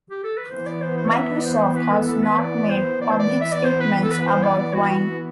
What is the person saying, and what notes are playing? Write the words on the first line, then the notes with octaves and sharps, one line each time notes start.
Microsoft has not made public statements about Wine.
G4
A4
B4
E3 B3 C5
D5
C5
C5
D5
E5
D5
C5
B4
A4
A4
B4
D5
C5
B3 D5
E3 C5
D5
E5
D5
C5
B4
A4
B4
B4
C5
D5
D5
F#4
F#4